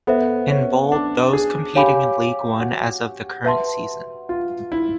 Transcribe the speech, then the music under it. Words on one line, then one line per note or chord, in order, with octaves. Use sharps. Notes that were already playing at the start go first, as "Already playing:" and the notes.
In bold those competing in League One as of the current season.
B3 A4 C5 E5
C#4
D4
G#4
G4 C#5 F5 G#5 B5 D6
F#4
B4 E5 A5 C6
F4
E4